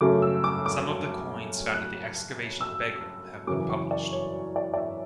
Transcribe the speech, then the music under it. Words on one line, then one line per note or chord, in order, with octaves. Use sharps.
Some of the coins found at the excavation of Begram have been published.
F#2 C#3 F#3 A3 D6
E6
D6
D6
F#6
E6
F#2 C#3 E3 D6
C#6
D5
C#5
D5
D5
E5